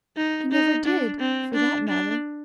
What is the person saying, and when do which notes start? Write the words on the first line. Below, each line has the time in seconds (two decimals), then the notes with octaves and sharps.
He never did, for that matter.
0.17 D#4
0.52 D#4
0.86 D4
1.20 C4
1.54 D4
1.88 D4